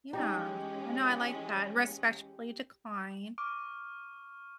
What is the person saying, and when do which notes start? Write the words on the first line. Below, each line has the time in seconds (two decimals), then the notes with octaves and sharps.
Yeah, I know, I like that, respectfully decline,
0.13 E3 G#3 C#4 D#4 G4
3.38 C#6 D6 F6